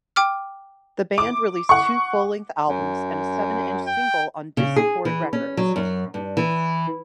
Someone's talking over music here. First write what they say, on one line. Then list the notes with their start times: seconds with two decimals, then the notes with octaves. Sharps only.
The band released two full length albums and a seven-inch single on Dischord Records.
0.16 G5 D6 F6
1.18 D6
1.69 F#5 C#6
2.69 F#2
3.87 G5
4.57 C#3
4.76 G#4
5.05 E3
5.33 C#4
5.57 F#3
5.76 F#2
6.14 G2
6.37 E3